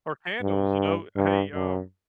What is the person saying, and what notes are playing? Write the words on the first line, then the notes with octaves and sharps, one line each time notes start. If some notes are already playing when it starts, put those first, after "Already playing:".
Or candles, you know, "Uh, hey, um,
G2
G2
F#2